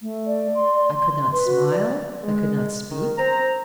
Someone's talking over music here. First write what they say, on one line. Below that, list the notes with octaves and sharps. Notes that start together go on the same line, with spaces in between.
I could not smile, I could not speak.
A3
D5
C6
B4
F#4
D5
G#3
D#3
C4 C5 A#5